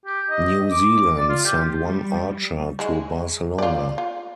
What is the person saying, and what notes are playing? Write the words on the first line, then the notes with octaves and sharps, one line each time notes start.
New Zealand sent one archer to Barcelona.
G4
D#5
D6
D5
F4
G4
G3
G#3 E4
F4 D5
F4